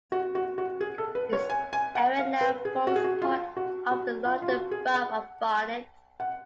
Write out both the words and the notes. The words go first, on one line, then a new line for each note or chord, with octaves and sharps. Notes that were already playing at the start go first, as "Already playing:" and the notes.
This area now forms part of the London Borough of Barnet.
F#4
F#4
F#4
G#4
A4
B4
C#5
G#5
G#5
F#5
F5
B4
G#4
F#4
G#4
F#4
F4
F#4
F#4
F4
F4
F#4
G#4
F#5
F#5